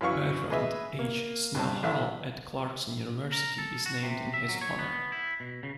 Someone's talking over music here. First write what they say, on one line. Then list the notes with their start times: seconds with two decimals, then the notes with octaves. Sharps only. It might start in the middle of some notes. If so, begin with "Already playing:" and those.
Bertrand H. Snell Hall at Clarkson University is named in his honor.
0.01 F#2 E3 F5 C#6
0.50 G#4 B4 D#5 E5
0.99 A#3
1.55 G2 C4 A5
1.83 A1 E5
3.32 A#4
3.58 A4
3.86 F#4
4.03 C3
4.34 E5
4.49 F#3
4.61 C#5
4.79 B3
5.12 E4
5.40 B2
5.63 C#3